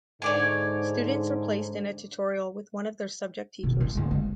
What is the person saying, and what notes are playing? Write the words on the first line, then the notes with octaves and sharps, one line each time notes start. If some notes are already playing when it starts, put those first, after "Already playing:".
Students are placed in a tutorial with one of their subject teachers.
G#2 D3 C#5 D5 G#5
B2 D#3
F4
A1 D3
G#3